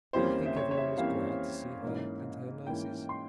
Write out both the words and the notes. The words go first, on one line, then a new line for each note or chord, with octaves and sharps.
Do you think everyone was glad to see her and her nurses?
F2 E3 G3 A#3 C#4 C5
E5
C#5
C#5
E5
F2 E3 G3 A#3 C#4 F5
G#2 E3 A#3 C#4
G#2 E3 A#3 C#4 G5
C6